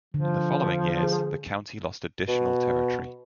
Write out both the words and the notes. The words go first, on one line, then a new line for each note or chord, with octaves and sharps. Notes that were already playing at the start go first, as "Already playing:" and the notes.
In the following years, the county lost additional territory.
D3 F3
G#4
B2